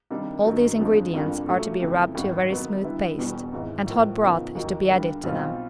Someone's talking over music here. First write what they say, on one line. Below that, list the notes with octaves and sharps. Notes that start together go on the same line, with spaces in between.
All these ingredients are to be rubbed to a very smooth paste and hot broth is to be added to them.
C3 D#3 G3 A#3 D4
G2 D#3 F#3
F2 D3 F3 G#3
G1 F2 D3 G3 A#3
A#2 F#3 A3 C#4
F2 C#3 E3
G#1 F#2 D#3 G3
C3 D#3 F#3 B3
D3 G3 B3 E4
E1 E2 B2 G3
G#1 G#2 E3
A2 F3 A#3
E2 C#3 F3 A#3 D#4
D#2 D#3 F#3
D3 G3 A#3
B1 B2 G3 C4 F4